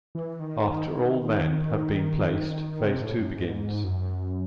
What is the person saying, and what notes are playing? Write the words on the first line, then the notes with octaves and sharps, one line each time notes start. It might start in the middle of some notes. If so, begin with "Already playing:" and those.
After all men have been placed, phase two begins.
E3
D#3
D#3
C3
A2
F#2
G#2
F#2